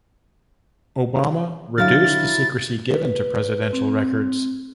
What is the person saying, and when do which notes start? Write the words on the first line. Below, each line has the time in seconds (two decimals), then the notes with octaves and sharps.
Obama reduced the secrecy given to presidential records.
1.78 D3 F#3 E4 F5 F6 A6
2.88 B4
3.73 C4